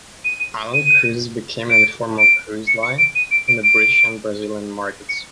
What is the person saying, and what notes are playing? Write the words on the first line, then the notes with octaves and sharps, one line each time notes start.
Island Cruises became an informal cruise line on the British and Brazilian markets.
D#7
D#7
D7
D7
C#7
C#7
D7
D#7
D7
D7
D7
C#7